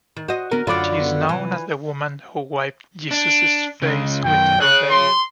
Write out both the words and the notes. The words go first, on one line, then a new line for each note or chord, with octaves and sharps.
She is known as the woman who wiped Jesus's face with her veil.
D#3
F#4 C5 D#5
D3 B3 A#4
F#2 D3 F4 F#4 D5 B5
B3
C2 E3
D4
C#2 C#3
F#2 D#3 G5
G#4 C#5 F#6
C6